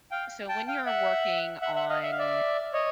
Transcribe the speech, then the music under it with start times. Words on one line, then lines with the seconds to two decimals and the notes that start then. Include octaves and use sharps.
so, when you're working on
0.11 F5 G5
0.48 G5 A5
0.67 F5 G5
0.86 E5 F#5
1.62 E5 F#5
1.75 E5 F#5
1.89 D#5 F5
2.03 E5
2.11 F5
2.19 D5 E5
2.73 C#5 D#5